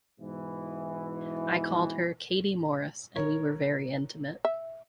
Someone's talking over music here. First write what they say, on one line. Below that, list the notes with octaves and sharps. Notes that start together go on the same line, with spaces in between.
I called her Katie Maurice, and we were very intimate.
G#2 B2 E3
A#4 C#5
E5